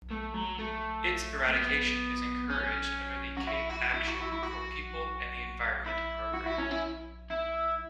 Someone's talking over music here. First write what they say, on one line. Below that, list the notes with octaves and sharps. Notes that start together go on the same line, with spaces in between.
Its eradication is encouraged under the Cape Action for People and the Environment program.
A3
F#3
A3
B3
C#4
F#4
E4
F#4
E4
F#4
E4
E4
F#4
E4
F#4
E4
C#4
E4
E4